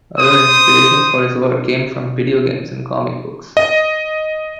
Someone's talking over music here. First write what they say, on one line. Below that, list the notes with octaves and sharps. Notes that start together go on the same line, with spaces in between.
Other inspirations for his work came from video games and comic books.
C5 D#6
D#5